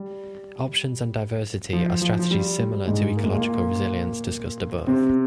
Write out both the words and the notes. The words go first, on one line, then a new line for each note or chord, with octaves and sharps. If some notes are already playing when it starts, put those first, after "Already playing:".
Options and diversity are strategies similar to ecological resilience discussed above.
Already playing: G3
F3
F3
F3
G3
G3
G#2 G#3
A#3
G#3
A#2 A#3
C3 C4